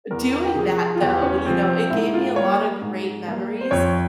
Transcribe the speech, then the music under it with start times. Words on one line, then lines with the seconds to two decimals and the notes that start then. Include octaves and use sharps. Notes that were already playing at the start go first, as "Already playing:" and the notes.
doing that though, you know, it gave me a lotta great memories
0.11 E2 A#4
0.45 G4
0.55 C3 F3 G#4
0.95 F4
1.01 E2 G4
1.23 C#4
1.45 C3 F3 C4
1.68 C4
1.90 G#2 E4
2.14 F4
2.36 G3 A#3 C#5
2.81 G#2
3.26 G3 A#3
3.61 C5
3.71 F2 C#5